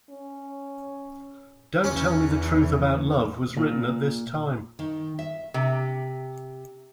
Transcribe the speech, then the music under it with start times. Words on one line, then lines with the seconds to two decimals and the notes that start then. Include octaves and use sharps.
"Don't Tell Me the Truth About Love" was written at this time.
0.10 C#4
1.84 E2 E3 C#4
3.57 A#2
4.79 D#3
5.19 E5
5.54 C3